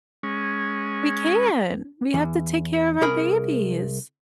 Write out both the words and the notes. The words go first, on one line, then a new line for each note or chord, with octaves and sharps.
We can't! We have to take care of our babies,
G#3 C#4
E2
C2 G#4 A#4 B5